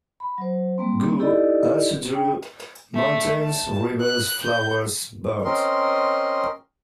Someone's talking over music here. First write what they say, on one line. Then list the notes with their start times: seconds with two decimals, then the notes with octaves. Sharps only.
Wu also drew mountains, rivers, flowers, birds.
0.20 B5
0.38 F#3 C5
0.78 G3 A#3 C4
1.19 D#4 E4 G4 A4 D5 D#5
2.13 D4 G5
2.95 A3
3.43 A5
4.01 F#6
4.43 G6
5.44 C4 C#4 A#4 D#5 C6